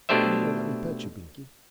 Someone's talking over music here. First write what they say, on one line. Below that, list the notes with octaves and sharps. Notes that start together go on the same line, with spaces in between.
Come here and let me pet you, Binkie.'
B2 A3 D4 G4 C5 E5